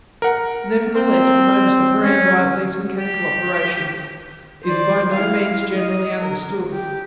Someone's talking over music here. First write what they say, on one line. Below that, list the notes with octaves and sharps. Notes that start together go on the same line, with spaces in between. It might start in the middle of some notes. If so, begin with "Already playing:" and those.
Nevertheless, the modus operandi of these mechanical operations is by no means generally understood.
A#4 F#5
C4
C#4
G4
C5 D5
E4 F5
D#5
A#4
G4